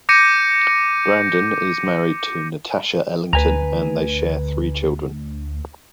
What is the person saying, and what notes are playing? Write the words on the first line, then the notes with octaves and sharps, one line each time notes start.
Brandon is married to Natasha Ellington and they share three children.
D6 G6 A#6 C#7 D#7
D2 B4 G#5 A#5